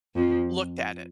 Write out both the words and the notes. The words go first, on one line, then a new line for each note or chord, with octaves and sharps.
looked at it.
F2 F3